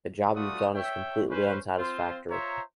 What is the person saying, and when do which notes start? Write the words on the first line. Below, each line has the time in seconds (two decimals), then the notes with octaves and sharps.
The job you've done is completely unsatisfactory.
0.34 G3 A3 F4 F#4 D5 D#6
0.74 C#5 E5 G5
1.29 C#4 B4 C5
1.77 C4 F4 C5
2.29 F4 C5 C#5 E5 A#5